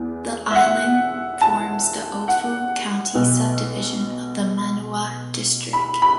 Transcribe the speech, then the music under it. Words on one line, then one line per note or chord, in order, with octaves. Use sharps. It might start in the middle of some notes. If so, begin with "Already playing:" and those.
The island forms the Ofu County subdivision of the Manua District.
Already playing: E2 E3 B3
E5
F#5
A5
F#5
B1 B2 B3
B5
B5